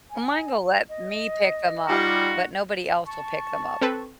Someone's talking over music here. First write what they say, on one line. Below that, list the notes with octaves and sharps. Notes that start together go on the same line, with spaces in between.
Mine will let me pick them up, but nobody else will pick them up.
G#5
D#5
G3 D#4 F4 F#4
A5 C#6
C4 A4 B4